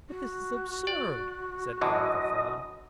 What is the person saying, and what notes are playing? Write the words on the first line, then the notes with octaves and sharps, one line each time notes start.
"But this is absurd!" said Ann with a frown.
F#4
D5
F#2 D3 E3 D#5